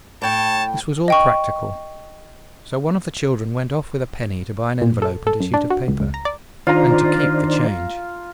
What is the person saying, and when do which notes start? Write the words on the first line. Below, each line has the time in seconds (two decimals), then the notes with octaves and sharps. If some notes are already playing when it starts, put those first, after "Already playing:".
This was all practical, so one of the children went off with a penny to buy an envelope and a sheet of paper, and to keep the change.
0.22 A2 C#5 G5 A5
1.08 D#5 G5 C#6
4.82 A#2
5.02 A4
5.27 A4
5.41 F#2
5.54 D4
5.70 F#4
5.88 C#2
6.00 C#2
6.14 A#5
6.25 D5
6.67 D#3 D4 F4 C5 A#5